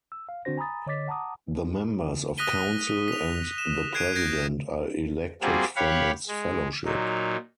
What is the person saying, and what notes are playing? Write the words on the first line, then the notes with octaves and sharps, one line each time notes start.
The members of Council and the President are elected from its Fellowship.
E6
F5
D3 C4 D4 F#4 C5 A#6
G#5 A#5 B5 D#6 A6
D3 C#5 D#5 D6 A6 B6
F#5 A5 A#5 D6 D#6
D#6 F#6 A#6 B6 D#7 G7
B6 F7
E7
F#6 G#6 C7 D7 D#7
G6 G#6 A#6 C7 D7
G3 A#3 C4 F4 F#4 G#4
G4 C#5 F5 F#5 B5 C#6
G#3
A#2 F#3 D#4